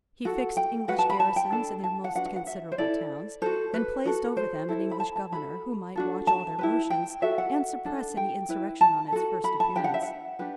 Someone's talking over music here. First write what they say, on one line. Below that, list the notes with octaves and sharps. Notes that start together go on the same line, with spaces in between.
He fixed English garrisons in their most considerable towns, and placed over them an English governor, who might watch all their motions, and suppress any insurrection on its first appearance.
F#4 A4 F#5
G5
F#4 B4 F#5
A5
B5
A5
G5
D4 A4 A5
A5
F#5
D4 F#4 B4 F#5
F#5
F#5
E5
C5
E4 A4 D5
F#4 A4 C5
B4
F#4 A4
C5
E4 A4
B5
A5
A5
F#4 A4 B5
D4 F#4 A4
A5
E4 G4 B4
G5
F#4 A4 E5
F#5
D4 A4
G5
E4 B4
A5
F#4 A4
B5
A5
D4 G4 B4 G5
F#5
E5
F#5
D4 G4 B4